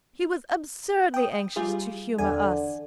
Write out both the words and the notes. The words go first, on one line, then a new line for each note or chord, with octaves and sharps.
He was absurdly anxious to humour us.
G5 D#6
G3 F4 G#4
E2 D3 G#5